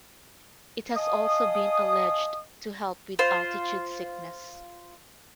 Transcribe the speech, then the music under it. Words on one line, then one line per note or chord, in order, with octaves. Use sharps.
It has also been alleged to help with altitude sickness.
D#5 F5 G#5 A5 D#6
F4 C5